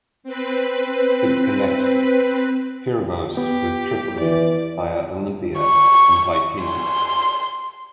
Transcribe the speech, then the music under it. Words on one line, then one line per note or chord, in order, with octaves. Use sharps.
It connects Pyrgos with Tripoli, via Olympia and Vytina.
C4 B4
B3 G4
E3 D5
C#6
C6